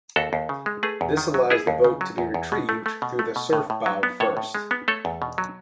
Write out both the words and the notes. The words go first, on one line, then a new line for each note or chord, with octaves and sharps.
This allows the boat to be retrieved through the surf bow first.
D#2 F#4 A4
D#2
C#3
G#3
A3 G#4 B4
E2
D#3
F#3
B3 E4 G#4
D#2
C#3
F#3
E2
E2
B2
A3
A3
B2
A3
B2
A2
A2
F#3
B3
A2 A4 C#5
A2
G#3
B3
A3 A4 C#5
E2
B2
F#3